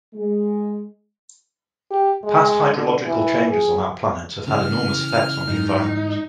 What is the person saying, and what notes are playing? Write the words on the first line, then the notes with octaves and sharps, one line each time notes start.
Past hydrological changes on our planet have had enormous effects on the environment.
G#3
G4
G#3
D3
E3
G#4
C#3 E3 F6
G#2 E3 D#4